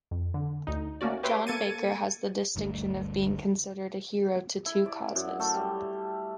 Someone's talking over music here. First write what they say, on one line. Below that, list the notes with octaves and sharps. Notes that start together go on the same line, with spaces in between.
John Baker has the distinction of being considered a hero to two causes.
F2
D3
D2 D#4
A3 A#3 C#4 F#4 D5
G4 B4 C#5 E5 C6 D6
A#3 A4 G#6 A6 C#7 D#7
G1 D2 G2 A3
E4
D5
F#2
A3
G3